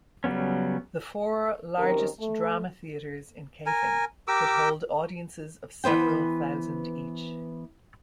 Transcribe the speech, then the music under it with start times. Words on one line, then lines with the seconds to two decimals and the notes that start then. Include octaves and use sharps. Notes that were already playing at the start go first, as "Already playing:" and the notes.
The four largest drama theatres in Kaifeng could hold audiences of several thousand each.
0.24 C#3 F#3 G3 B3 C#4
1.78 D#2 C3 D#3 C#4 A#4
2.19 A3
3.66 A#4 G#5
4.28 G4 A#4 D6 E6
5.84 E3 B3 C5 G5